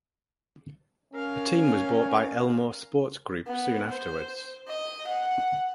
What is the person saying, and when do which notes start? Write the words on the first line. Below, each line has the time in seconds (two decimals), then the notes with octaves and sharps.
The team was bought by Elmore Sports Group soon afterwards.
1.14 C#4 A#4 F5
3.47 B3
3.90 C5
4.68 D#5
5.07 F#5